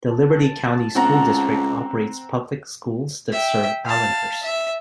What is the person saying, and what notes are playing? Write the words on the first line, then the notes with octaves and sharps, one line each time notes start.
The Liberty County School District operates public schools that serve Allenhurst.
A5
C#2 C4 F#5 A#5
E5 G5
F5 A5
E5